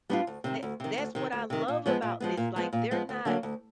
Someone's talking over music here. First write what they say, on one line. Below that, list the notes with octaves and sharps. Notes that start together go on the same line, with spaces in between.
That that's what I love about this, like, they're not,
G3 B3 D4 F4
D2
C3 D#3
D2
C3 D#3
D2
C3 D#3
D2
C3 D#3
A#2
F3 G#3 B3
A#2
F3 G#3 B3
A#2
F3 G#3 B3
A#2
F3 G#3 B3
D2
D3 F#3 A#3
D2